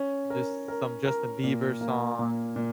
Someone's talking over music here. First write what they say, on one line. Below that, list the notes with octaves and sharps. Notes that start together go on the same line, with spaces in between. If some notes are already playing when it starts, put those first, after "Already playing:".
just some Justin Bieber song,
Already playing: C#4
A#4
A#4
A#4
A#2
A#3
A#2
A#2